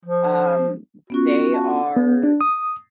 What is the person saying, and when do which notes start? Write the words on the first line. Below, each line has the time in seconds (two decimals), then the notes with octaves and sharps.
um, they are
0.05 F3
1.10 B3 C#4 F4 F#4
1.54 A5
1.96 B3
2.23 D4
2.41 D#6